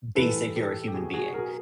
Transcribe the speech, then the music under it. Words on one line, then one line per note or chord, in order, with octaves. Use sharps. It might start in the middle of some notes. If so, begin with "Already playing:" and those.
basic you're a human being,
A2 E3 G3 A4 B4
G4 A4
G4
B2 F#3 F#4 G#4
F#4 G#4
G#4 A#4